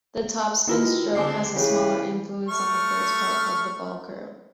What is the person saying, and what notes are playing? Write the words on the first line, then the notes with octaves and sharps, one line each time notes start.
The topspin stroke has a smaller influence on the first part of the ball-curve.
D#3 E3 A#3 F4 F#4
D2 C#3 C4 D4 G#5 D6 C7
C#3 E3 G4 B4
A3 C#6 F6